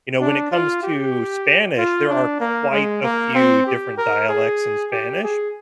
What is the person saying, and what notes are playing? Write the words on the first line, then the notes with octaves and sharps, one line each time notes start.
you know, when it comes to Spanish, there are quite a few different dialects in Spanish.
D4
F4
G4
F4
D4
A#3
G#3
A#3
C4
G4
A#4
G#4
G4
G#4